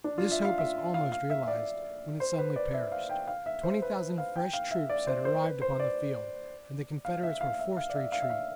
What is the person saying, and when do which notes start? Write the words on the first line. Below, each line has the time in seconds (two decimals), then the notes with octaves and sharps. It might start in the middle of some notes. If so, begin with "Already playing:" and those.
This hope was almost realized, when it suddenly perished: twenty thousand fresh troops had arrived upon the field, and the Confederates were forced to retreat.
0.04 D4
0.18 F4
0.31 E5
0.45 F5
0.58 E5
0.94 F5
1.12 F5
1.30 E5
1.43 E5
1.48 D5
2.20 C5
2.38 B4
2.56 D5
2.74 E5
2.92 F5
3.10 G5
3.28 F5
3.46 E5
3.63 C5
3.82 B4
4.18 F5
4.36 G5
4.53 F5
4.71 E5
4.90 D5
5.07 C5
5.25 C5
5.44 B4
5.62 C5
5.80 D5
7.05 F5
7.23 E5
7.41 F5
7.59 E5
7.77 F5
7.90 D5
7.95 E5
8.12 F5
8.22 E5
8.30 F5